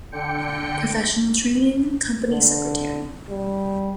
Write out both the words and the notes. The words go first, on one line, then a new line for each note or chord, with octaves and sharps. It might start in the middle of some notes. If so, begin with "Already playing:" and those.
Professional training : Company Secretary.
D3 G5 C#7
D3
G3